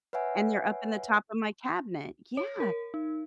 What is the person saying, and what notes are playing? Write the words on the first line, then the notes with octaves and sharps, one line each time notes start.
and they're up in the top of my cabinet, yeah
B4 C#5 E5 F#5 G#5
C#5
A#4
D#4